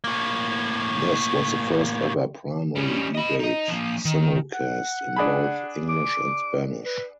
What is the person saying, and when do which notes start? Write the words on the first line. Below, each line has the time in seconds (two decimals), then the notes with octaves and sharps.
This was the first ever primary debate simulcast in both English and Spanish.
0.04 A2 A#3
2.76 G3 C#4
3.15 D#5 B5
3.40 D#4 D#5
3.69 F3 A#3
4.05 D#3
4.53 F#5
5.16 D4 G#4 B5
5.89 D6
6.85 B4